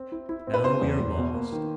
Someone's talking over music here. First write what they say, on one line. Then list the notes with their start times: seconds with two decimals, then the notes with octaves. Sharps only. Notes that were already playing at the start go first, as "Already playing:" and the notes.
"Now we are lost."
Already playing: C4
0.12 E4
0.29 E4
0.47 C4
0.54 B4
0.64 B2 C5
0.82 E2
1.00 E2
1.17 B2
1.34 A#3
1.52 D#3